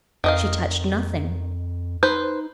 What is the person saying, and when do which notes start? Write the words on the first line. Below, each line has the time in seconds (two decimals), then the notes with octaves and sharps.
She touched nothing.
0.24 F2 D#3 D#5 F5
2.03 D#4 B4 C5